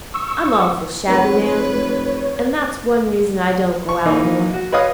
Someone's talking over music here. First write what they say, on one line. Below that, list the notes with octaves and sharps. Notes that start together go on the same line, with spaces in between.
I'm awful shabby, ma'am, and that's one reason I don't go out more.
C#6 E6
F1 B4 C#5
C#6
E3 A#3 D#4
F#4
B4 C#5 D#5 F5 D#6